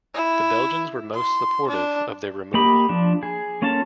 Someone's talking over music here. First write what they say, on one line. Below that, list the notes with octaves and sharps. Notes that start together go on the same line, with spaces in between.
The Belgians were most supportive of their removal.
E4
C6
D4
A#3 G4 D#5 B5
F3 D4
G#4
A#3 C#4 F4 A4 A5